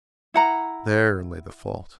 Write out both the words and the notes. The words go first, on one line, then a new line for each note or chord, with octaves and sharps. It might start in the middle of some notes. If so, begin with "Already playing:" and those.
There lay the fault.
E4 F#5 A#5